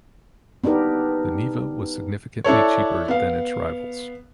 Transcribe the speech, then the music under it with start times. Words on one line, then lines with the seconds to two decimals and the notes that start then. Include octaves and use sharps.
The Niva was significantly cheaper than its rivals.
0.64 B3 D4 D#4 G4 A#4
2.44 D4 E4 A4 C#5
3.08 B3 F5